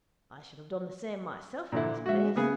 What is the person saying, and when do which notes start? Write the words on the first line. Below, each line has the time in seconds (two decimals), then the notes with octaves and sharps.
I should have done the same myself in his place.'
1.72 A#2 D3 E4
2.06 G#3 F#4 E5
2.36 C#3 A#3 B3 G#4